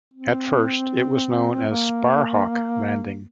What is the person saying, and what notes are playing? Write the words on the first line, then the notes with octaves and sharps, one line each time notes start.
At first it was known as Sparhawk Landing.
C4
A#3